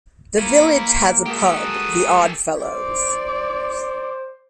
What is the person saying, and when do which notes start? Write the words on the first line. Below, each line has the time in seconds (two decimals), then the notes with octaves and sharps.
The village has a pub The Oddfellows.
0.38 A#3 B3 E4
1.26 G#3 F#4 G4 A4 A#4 D#6
2.64 C5 D5